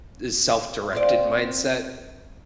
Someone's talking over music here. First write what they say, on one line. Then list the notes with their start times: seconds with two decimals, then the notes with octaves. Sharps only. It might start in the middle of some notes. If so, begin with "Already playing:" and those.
the self-directed mindset,
0.93 C4 F4 D5